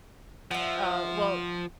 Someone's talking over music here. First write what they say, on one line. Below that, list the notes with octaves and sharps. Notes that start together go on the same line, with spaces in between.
Uh, well,
F3 E5 F#5